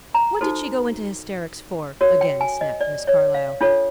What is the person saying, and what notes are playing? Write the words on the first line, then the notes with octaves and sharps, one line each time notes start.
"What did she go into hysterics for?" again snapped Miss Carlyle.
A#5
D#4 F#4 A4 C5
F#4 A#4 C#5
G5
G#5
D#5
D5
C#5
F5
D4 F4 A4 C#5